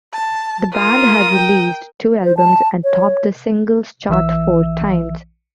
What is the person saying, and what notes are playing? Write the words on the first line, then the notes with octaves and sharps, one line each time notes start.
The band had released two albums and topped the singles chart four times.
A5
F4 A#4 D#6
G5
C5
A5
C#5
A#1 E3 E5 E6